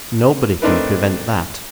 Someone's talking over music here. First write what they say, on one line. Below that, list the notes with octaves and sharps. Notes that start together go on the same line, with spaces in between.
Nobody can prevent that.'
A3 C4 D4 D#4 A#4 B4